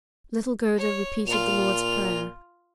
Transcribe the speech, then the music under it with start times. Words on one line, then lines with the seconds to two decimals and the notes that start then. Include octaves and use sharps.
Little Gerda repeated the Lord's Prayer.
0.78 C#5
1.27 A#2 F4 F7